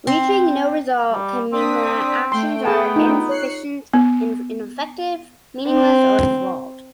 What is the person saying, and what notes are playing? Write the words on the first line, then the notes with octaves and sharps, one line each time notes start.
Reaching no result can mean that actions are inefficient, ineffective, meaningless or flawed.
C4
G3
C4 D4 D#6 B6
A3 G5 C6
B3 G#4 G#5 A5
D#4 F4
C#5 F#6 C7 C#7
B3
C4